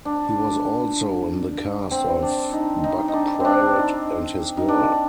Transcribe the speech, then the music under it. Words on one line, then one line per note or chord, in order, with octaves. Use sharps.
He was also in the cast of "Buck Private and His Girl".
D4
C4
D4
D#4
D#4
D#4
D4
C4 D4
D#4
D#4
D4